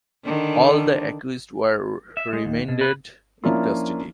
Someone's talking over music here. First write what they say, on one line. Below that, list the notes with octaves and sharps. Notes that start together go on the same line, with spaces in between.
All the accused were remanded in custody.
D3 D#3 D4
E5
G#3
D#2
B2
B4
F3 A#3 C#4 D4 E4 F4